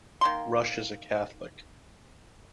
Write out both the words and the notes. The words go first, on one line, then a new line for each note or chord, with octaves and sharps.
Rush is a Catholic.
D#3 A#3 C6